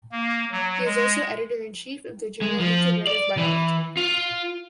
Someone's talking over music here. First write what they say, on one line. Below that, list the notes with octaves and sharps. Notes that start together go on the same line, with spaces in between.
He is also editor in chief of the journal "Integrative Biology".
A#3
F#3
G#3
G#3
F3
D5
E3
F4